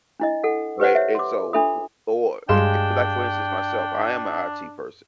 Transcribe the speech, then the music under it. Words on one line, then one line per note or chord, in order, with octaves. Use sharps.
right, and so, w or i i like, for instance, myself, I am an IT person.
D4 E4 D#5
A4 F#5
G4 B4 C5 F#5
C#5 E5
C6 D6
D4 F4 A4 E5 B5 D#6
G2 G3 G#3 D4 F5 G5 C6 E7